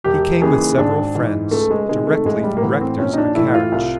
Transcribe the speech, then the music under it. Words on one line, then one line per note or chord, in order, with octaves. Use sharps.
He came with several friends directly from Rector's in a carriage.
E1 G4
D#2 C#3 E3 G#4
G#1 D4
G#2 E3
C#2 A3
G#3
C3 D#3 G#3
A3
A1 G#3
G3
A#3
A2 E3 B3
C4
A#1 C#4
D#4
D4
A2 E3 E4
F4
C2